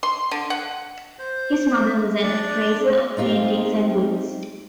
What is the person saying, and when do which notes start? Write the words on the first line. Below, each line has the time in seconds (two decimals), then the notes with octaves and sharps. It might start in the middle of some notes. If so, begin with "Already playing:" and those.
His mother was an appraiser of paintings and goods.
0.03 C6
0.31 D3
0.50 F#5
1.19 C5
2.22 D4 D5
3.17 C4 D#4 F4 G4